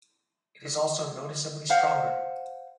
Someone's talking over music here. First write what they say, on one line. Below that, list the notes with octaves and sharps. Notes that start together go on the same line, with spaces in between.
It is also noticeably stronger.
C5 F5 F#5